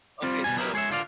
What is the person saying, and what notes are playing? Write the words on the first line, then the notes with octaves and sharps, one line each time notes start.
Okay, so,
G3 C4 F4
B2 D#3 G3 G#5
F#3 B3 E4 G4 G#4 A#4
G#3 G#4 C#5 E5
D3 F4 D5 F5